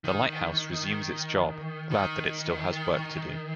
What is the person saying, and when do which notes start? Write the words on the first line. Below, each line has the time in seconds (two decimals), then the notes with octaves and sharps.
The lighthouse resumes its job, glad that it still has work to do.
0.04 D#3
1.91 D#3